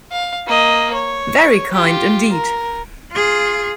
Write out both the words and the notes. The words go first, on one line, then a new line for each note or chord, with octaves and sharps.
Very kind indeed.
F5
A#3 D#5
C#5
F4 G4
A#4
F4 G#4